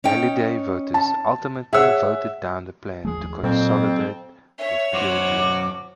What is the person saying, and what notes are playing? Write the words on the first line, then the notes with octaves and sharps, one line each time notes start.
Halliday voters ultimately voted down the plan to consolidate with Killdeer.
C#4 D#4 G5
A5
G#4 C#5 E5 F#5 E6
D#2 F3 A3 G#4
F2 A#2 F#3 C4
C#5 E5
F#2 F#4 C5 D6